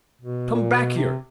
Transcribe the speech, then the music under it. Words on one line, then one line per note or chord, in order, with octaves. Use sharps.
Come back here!
B2
A#2
B2
C3